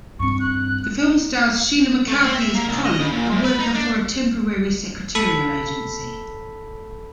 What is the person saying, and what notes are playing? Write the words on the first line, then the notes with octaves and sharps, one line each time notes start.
The film stars Sheila McCarthy as Polly, a worker for a temporary secretarial agency.
G2 C4 C#6
F#6
A3
C4
E5
A#3
C2
D#5
C#3
A#2
F#2
B4
D#4
D4
A4 B5